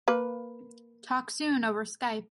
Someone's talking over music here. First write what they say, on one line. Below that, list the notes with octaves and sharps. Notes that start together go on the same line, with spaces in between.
Talk soon over Skype.
A#3 B4